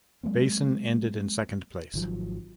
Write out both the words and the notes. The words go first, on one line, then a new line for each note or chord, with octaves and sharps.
Beysen ended in second place.
F#3 G#3 A#3 C4
G#1 D#3 F3 F#3